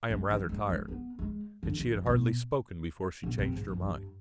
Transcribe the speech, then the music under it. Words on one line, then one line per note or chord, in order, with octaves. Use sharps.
"I am rather tired." And she had hardly spoken before she changed her mind.
G#3
G3
G#3
G#3
B3
G#3
D3
D#3
G3
B2
B2
C3
G#2
F2
G2